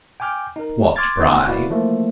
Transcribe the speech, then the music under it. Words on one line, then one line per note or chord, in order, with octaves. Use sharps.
What bride?
G5 G#5 D6 F6 G6
D#4 A#4
C6 D6 F6 G#6 A6
B3 D#4 D#5 C6 E6
E4 F#4 B4 D5 F5
E3 F3 A3 A#3